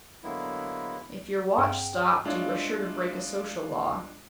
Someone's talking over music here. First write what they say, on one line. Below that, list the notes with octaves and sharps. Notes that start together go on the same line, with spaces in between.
If your watch stopped you were sure to break a social law.
D3 F#3 G#3 A#3 B3 E4
G2 C4 G#4 F#5 G5
G#3 D4 E4 F4 C#5 F5